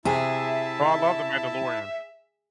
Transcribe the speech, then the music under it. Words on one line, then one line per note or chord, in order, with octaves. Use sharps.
Bro, I love The Mandalorian.
C3 E4 G#4 E5 A5